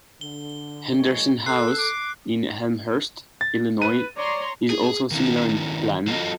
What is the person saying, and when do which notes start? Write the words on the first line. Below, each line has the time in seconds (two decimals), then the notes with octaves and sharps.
Henderson House in Elmhurst, Illinois is also similar in plan.
0.21 D3 G7
0.98 D#3 F3 G#3 C#5
1.46 A4 E6 F#6 C7
1.78 D6
3.41 A6
3.82 B4 D#7
4.17 C#5 D5 A#5 C6
4.70 G#4
5.11 D#3 A#3 B3 C#4 E4
6.07 F#3 F4 A4 D#5